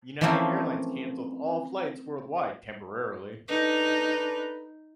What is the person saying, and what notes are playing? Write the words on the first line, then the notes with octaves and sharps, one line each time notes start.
United Airlines cancelled all flights worldwide temporarily.
E3 F3 A3 A#3 C4 C#4
D4 D#4 A4 B4